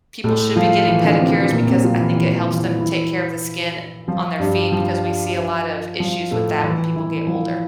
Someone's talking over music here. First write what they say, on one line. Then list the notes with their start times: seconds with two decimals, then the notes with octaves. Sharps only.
people should be getting pedicures because I think it helps them take care of the skin on their feet, because we see a lot of issues with that when people get older.
0.24 A2 A3
0.56 F3 F4
0.88 E3 E4
1.04 D3 D4
1.20 C3 C4
1.36 C3 C4
1.52 A#2 A#3
1.68 C3 C4
1.84 F3 F4
2.00 E3 E4
2.16 E3 E4
2.32 E3 E4
2.47 E3 E4
2.64 E3 E4
2.80 E3 E4
4.08 F3 F4
4.39 G2 G3
4.72 F3
6.00 F3
6.31 A2 A3
6.64 E3 E4
6.96 E3 E4
7.27 F3